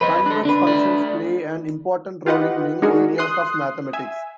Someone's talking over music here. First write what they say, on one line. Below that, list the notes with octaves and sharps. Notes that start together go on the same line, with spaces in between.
Convex functions play an important role in many areas of mathematics.
F2 B4 C5 D#5
D4 A4
D3 D4 B4
A3 D5
F4 G4 B4 D#5 F#5
G#3 D4 D#4 F#4 G#4 A#4
C6 D#6 F#6 C7
E5 G#5